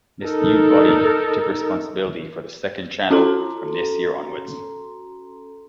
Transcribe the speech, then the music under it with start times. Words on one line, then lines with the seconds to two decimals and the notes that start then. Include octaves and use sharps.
This new body took responsibility for the second channel from this year onwards.
0.24 D#4 A4 A#4
3.11 C#4 F#4 A4 A#5 C6